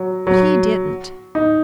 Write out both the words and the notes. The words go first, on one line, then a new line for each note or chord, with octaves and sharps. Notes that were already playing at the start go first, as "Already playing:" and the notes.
But he didn't.
Already playing: F#3
F#3
D#4